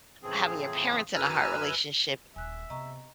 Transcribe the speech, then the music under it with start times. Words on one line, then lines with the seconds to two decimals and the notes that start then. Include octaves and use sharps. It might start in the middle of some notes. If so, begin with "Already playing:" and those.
having your parents in a hard relationship,
0.23 A2 C#3 E3 F3 C4 G#4
1.14 F#2 B4 G#5 A#5 E6 F6
2.36 D#1 E5 G#5 F#6
2.70 C3 B3 D#5 A#5 C#6